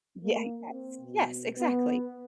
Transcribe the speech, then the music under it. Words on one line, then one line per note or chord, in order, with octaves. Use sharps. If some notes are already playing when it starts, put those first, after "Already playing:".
Yeah, yes, yes, exactly,
A#3
C4
B2
B3